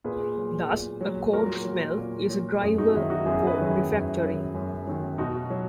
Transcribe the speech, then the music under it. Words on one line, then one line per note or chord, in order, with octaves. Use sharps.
Thus, a code smell is a driver for refactoring.
A#2 G#4 B4
F#3
A#2
F#3
A#2 F#4 A#4
F#3
A#2
F#3
F#2 E4 G#4
D#4 F#4
D#3 F#3 E4
E4
D#4 F#4
F#2 E4 G#4
G#4 B4
D#3 F#3
E4
F#2
D#3 F#3
F#2
D#3 F#3
B2 D#4 F#4
F#3